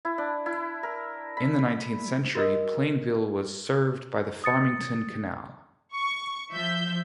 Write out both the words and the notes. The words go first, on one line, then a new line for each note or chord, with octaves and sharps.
In the nineteenth century, Plainville was served by the Farmington Canal.
E4
D4
E4
A#4
B5
F#4 A#4 D#5 D#6 E6
D#6 A6 C#7
C#6
F3 E5 G6